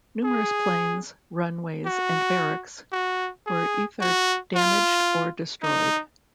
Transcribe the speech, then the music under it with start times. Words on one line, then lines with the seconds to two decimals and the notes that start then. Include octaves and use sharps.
Numerous planes, runways and barracks were ether damaged or destroyed.
0.24 G#4
1.86 F#4
2.93 F#4
3.46 G#4
4.00 F#4
4.55 F4
5.63 D#4